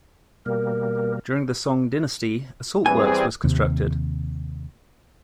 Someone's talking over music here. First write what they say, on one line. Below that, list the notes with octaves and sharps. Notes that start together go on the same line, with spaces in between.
During the Song Dynasty, a salt works was constructed.
B2 G3 A#3 A#4
E2 E3 G3 C4 G#4 G#5
D#2 C3